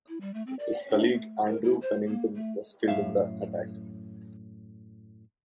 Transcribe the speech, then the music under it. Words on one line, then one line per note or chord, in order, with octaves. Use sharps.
His colleague, Andrew Pennington, was killed in the attack.
E4
G3
A3
C4
D5
D4
A3
A#4
E4
C5
A#3
A3
F#2 A2 E5 F5